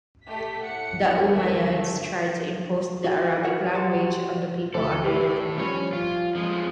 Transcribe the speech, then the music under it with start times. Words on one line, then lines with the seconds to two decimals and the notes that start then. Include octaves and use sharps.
The Umayyads tried to impose the Arabic language on the people under their command.
0.25 A3 G4 B6
0.62 A2 F#5 C#7
0.96 G1 E4
1.33 D#2 A3 A#4 E5
1.65 D3
3.04 F#4
3.45 F#4 A#4 B4 F#5
3.73 F#4 G4 C5 D5 F#5
4.74 D2 A4 D5 E5
5.04 A2 G4
5.58 F3 G3 C#4 C#5
5.93 F4
6.35 F2 F3 G#3